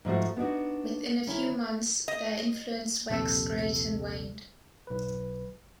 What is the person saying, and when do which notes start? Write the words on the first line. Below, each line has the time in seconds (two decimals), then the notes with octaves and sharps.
Within a few months their influence waxed great and waned.
0.05 G#2 F3 A3 F#4
0.37 B3 D4 D#4 F#4
1.27 D#3 C#4 E4
2.08 D#5
3.10 A#1 D#2 C3 A4 E6
4.87 B1 B4